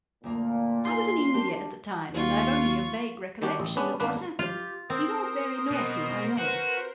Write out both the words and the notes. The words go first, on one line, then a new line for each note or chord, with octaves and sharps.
"I was in India at the time, and I've only a vague recollection of what happened; he was very naughty, I know."
D2 A#2 A#3 F4
D#4 E4 G#5 C6
D4 G4 A#4
D#2 F4 C#6
D#3 G3 D4 F#4 G4
A1
B3 C#4 D4 B4
G#1 A#3 D4 B4
F4 G4
C4 A#4 C5 D#6
B2
F#4 B4